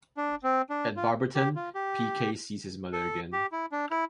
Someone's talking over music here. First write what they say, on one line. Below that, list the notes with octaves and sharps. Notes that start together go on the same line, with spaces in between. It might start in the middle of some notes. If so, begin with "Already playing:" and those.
At Barberton, Peekay sees his mother again.
D4
C4
D4
F4
G4
F4
G4
A4
G4
E4
D4
E4